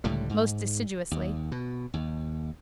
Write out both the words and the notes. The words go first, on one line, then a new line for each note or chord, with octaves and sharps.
Most deciduously.
C#2 A2 D3 G3
G#2
D#2
B2
D#2